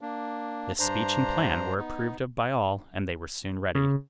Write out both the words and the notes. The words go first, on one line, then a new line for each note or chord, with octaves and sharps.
This speech and plan were approved of by all, and they were soon ready.
A#3 D4
G2 D4 C5 A#5
B3 D#4
C#3